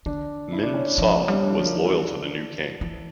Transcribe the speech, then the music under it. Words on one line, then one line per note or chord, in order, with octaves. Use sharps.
Min Saw was loyal to the new king.
D3 D4
E4
D4
C#4
D4
F3 D4
C#4
G3
C#4
D4
F3
A#4
E4
E3 D4
E3